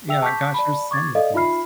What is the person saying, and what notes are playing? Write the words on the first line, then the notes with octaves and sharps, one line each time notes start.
yeah gosh, there's so many things.
G#4 E5 G5 E6 F7
A5 C#6 D6 F6 G6 B6
D5 A5 B5
C#6 D6 G#6 A6
A4 D5 D#5 F5
D#4 F4 E5 B5 F6 C7